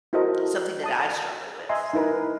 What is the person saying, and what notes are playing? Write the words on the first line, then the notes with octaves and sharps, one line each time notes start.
something that I struggle with.
E4 F#4 A4 A#4 C5 D#5
A5 D#6
D#5 E5 G#5 A#5 C6
D#4 E4 A#4 B4